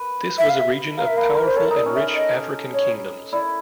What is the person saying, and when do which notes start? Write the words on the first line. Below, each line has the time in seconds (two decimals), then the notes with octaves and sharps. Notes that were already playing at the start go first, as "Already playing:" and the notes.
This was a region of powerful and rich African kingdoms.
Already playing: B4
0.38 E5
0.49 F5
0.59 E5
0.97 A#4 F5
1.07 E5
1.17 B4 F5
1.37 A#4
1.45 C5
1.56 A4 C#5
1.71 D#4
1.76 D5
1.86 C#4
1.95 E5
2.00 C#4
2.15 D#5
2.74 C#5
3.33 E4 D5